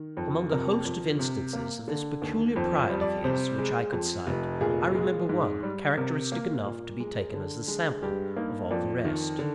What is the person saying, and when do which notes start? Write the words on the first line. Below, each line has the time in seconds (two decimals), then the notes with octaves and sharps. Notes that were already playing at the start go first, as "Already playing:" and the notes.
Among a host of instances of this peculiar pride of his which I could cite, I remember one, characteristic enough to be taken as a sample of all the rest.
Already playing: D#3
0.17 F2
0.51 C3 A#4
0.85 F2
1.19 C3
1.53 A#3
1.88 D3
2.22 D#2
2.56 F2 C5
2.79 C5
2.90 G3
3.01 D5
3.24 C3 C5
3.58 G#3
3.92 F2
4.27 F1
4.61 A#2 G#4
4.95 G#3
5.29 G#2
5.63 G3
5.97 C3 A#4
6.32 A#3
6.66 A#2
7.00 G#3
7.34 D3
7.68 G#3
8.02 G2 G4
8.36 A#3 D#4
8.71 F2 D5
9.05 D#3
9.39 D3